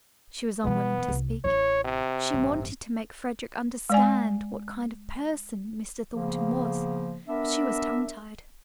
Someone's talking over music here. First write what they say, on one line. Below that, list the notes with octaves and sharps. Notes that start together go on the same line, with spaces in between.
She was unwilling to speak; she wanted to make Frederick understand what kind of person Mr. Thornton was--but she was tongue-tied.
B2 E3 B3
C2
A1 E4 C#5
C3
A1 G2
G#3 D5 G#5
C#3 F3 A#3 B3 G#4
B3 D4 A#4 E5